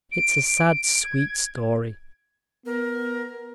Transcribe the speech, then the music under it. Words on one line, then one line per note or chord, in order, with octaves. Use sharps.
It's a sad, sweet story.
D7
D7
G#6
B3 A#4